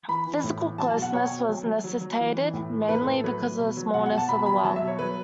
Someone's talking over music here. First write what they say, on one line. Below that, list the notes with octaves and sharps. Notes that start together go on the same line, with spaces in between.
Physical closeness was necessitated mainly because of the smallness of the well.
E3 B5
E3
A2
E3
F#3 A5
A5
B2
F#5
B2 C#5
B2
F#3
F#3
F#3
F#3
E3
E3
A2
E3
A2 B4
A4
A2
A4
F#3 B4
F#3
B2
F#3
B2 F#5
F#5
B2
A5
B2 B5
F#3 B5
F#3 A5
E5
B2
C#5
F#3 B4